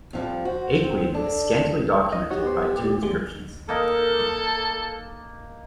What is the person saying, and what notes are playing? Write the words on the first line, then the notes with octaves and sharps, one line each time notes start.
Aequian is scantily documented by two inscriptions.
F2 F3 G3
F#4 C5
C4
D4 A4
D#5
D#4 F#4 G4 C#5
B3 C5
A#2
E2 F#3 G#3
A#3 D#4 A4 A#4